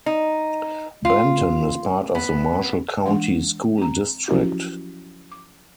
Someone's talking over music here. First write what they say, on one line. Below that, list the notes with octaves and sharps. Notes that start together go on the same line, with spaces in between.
Benton is part of the Marshall County School District.
D#4
F4
B3
E3 G#3 D4 F#5 C6
C4 A#5
F3 F#3 C#4 E4 F#4 G4
D6